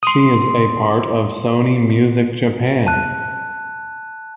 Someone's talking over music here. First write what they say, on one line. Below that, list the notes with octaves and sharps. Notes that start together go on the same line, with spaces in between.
She is a part of Sony Music Japan.
C6 D#6
A5 F#6